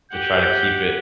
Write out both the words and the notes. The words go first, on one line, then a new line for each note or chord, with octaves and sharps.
to try to keep it,
G4 F#5 G6